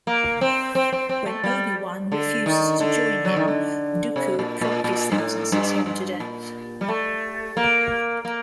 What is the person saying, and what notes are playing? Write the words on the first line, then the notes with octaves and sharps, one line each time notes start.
When Obi-Wan refuses to join him, Dooku promptly sentences him to death.
A#3
C4
C4
C4
C4
A3
G3
D3
D#3
D3
F#3
D#3
D3
C3
A#2
A#2
A#2
G2
A2
G2
G2
A#2
G3
A3
A#3
A#3